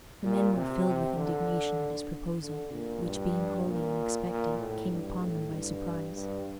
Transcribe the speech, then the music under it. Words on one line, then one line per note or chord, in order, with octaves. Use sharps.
The men were filled with indignation at this proposal, which, being wholly unexpected, came upon them by surprise.
A#2
C3
C3
D3
D3
A#2
G2
A#2
A#2
A2
G2
A2
G2
G2